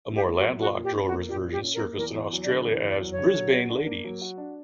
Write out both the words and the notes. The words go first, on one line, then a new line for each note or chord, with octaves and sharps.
A more landlocked drover's version surfaced in Australia as "Brisbane Ladies".
E4
G4
A#3
F#4
F#3
A#2 F#4
A#2
G4
C#4
F#4
A#3
A#2 G4
A#2
G4
C#4
A#4
A#3
E2 A#4
E2
F#3
D5
D3
E2
E2
D5
F#3
C#5
D3
F#3
F#4
D4
A#3
F#3
F#4
D4